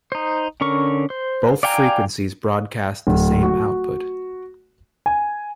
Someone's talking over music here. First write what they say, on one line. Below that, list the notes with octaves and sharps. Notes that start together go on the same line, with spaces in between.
Both frequencies broadcast the same output.
D#4 C5
D3 C#4 A#4 C#6
C5
D5 F5 G5 G#5 A#5
D1
F#4
G#5